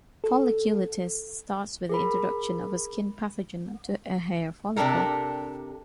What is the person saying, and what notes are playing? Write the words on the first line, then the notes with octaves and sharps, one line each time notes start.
Folliculitis starts with the introduction of a skin pathogen to a hair follicle.
A4
G#4 A#4 B5
C3 D4 G4 A4 A#4